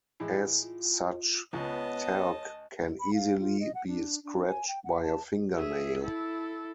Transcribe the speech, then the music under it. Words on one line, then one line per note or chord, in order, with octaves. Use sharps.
As such, talc can easily be scratched by a fingernail.
A2 E3 G#3
F4
C#2 B3 C#5 D#5 A5
B5
F5
F4
D#5
F#5
D4
D4
G#5
G5
F#5
A5
G#4 E5
E4 A4